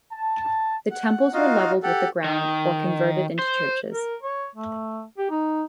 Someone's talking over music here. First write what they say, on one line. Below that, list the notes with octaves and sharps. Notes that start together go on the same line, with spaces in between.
The temples were leveled with the ground or converted into churches.
A5
F#5
D#4 F4 F#4 D#5 F5
G4 A4 F#5
D#3
C5
A#4
C#5
A3
G4
D#4